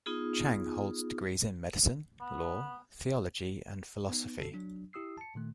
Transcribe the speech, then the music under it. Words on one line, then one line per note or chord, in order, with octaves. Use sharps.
Chang holds degrees in medicine, law, theology and philosophy.
B3 D#4 F4 G#4
B3
B3 D#4
D3 F#4 A4 C7
F#3 D4
E4 G4 D#6 E6 C7
A5 C#7
A#2 D#3 A3